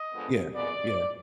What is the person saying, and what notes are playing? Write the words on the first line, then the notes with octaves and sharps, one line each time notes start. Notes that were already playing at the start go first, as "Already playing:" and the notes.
Yeah. Yeah.
Already playing: D#5
F2 D3 G#3 B3
A#2 G#3 B3 D5